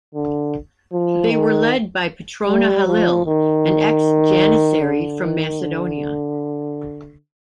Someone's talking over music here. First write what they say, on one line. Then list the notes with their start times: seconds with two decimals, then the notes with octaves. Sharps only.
They were led by Patrona Halil, an ex-Janissary from Macedonia.
0.15 D3
0.92 F3
1.32 D#3
2.48 G3
2.87 F3
3.26 D#3
4.82 D3
5.20 D#3
5.60 D3